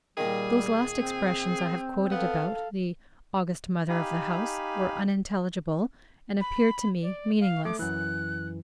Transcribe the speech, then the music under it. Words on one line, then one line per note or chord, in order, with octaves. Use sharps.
Those last expressions I have quoted about the "august Mother of the house" were unintelligible, and appeared to me meaningless.
A#2 D#3 G3 G#4
C4
B3 A4 F5
D#4 G4 F5 G#5 B5
B5
D5
F5
A3 D6
F#2 E3 F#6